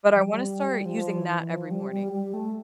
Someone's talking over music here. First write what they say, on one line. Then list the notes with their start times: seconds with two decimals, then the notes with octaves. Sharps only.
But, I wanna start using that every morning.
0.15 F3
0.22 G3
0.85 F3
1.18 E3
1.49 F3
1.71 G3
1.91 G3
2.12 G3
2.34 A3